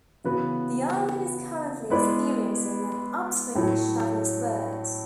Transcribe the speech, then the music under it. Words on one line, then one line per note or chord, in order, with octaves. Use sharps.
The island is currently experiencing an upswing in Chinese births.
C#3 E3 B3 F#4 B4
G#3 B3 E4 B4 D5
A2 F#3 C#4 E4